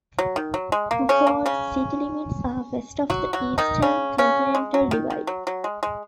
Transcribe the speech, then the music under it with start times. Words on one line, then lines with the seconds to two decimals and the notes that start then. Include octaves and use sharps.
Buford's city limits are west of the Eastern Continental Divide.
0.19 F#3
0.36 D#3
0.54 F#3
0.72 G#3
0.91 A#3
1.09 C#3 C#4
1.27 A#3
1.46 C#3 C#4
3.10 F#3 F#4
3.33 F#3 F#4
3.58 D#3 D#4
3.82 C#3 C#4
4.18 C#3 C#4
4.55 G#3
4.74 F#3
4.91 D#3
5.10 D#3
5.27 F#3
5.47 F#3
5.64 G#3
5.83 G#3